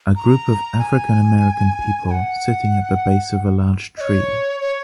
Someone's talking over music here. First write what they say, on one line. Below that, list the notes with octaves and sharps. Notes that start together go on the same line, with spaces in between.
A group of African American people sitting at the base of a large tree.
A#5
G#5
G#5
F#5
D#5
C#5
C#5